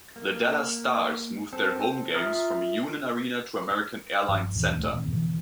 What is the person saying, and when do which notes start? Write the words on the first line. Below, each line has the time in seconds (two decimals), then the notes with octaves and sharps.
The Dallas Stars moved their home games from Reunion Arena to American Airlines Center.
0.16 A#3
1.53 C4 A4
2.14 F4 E5 A#5 D#6 F6
4.28 F1 G2 F3
4.55 D#2 A#2 D#3 E3
4.77 D1 D2 A3
4.93 A#2 D#3 C4
5.07 F2 B2 D3 E3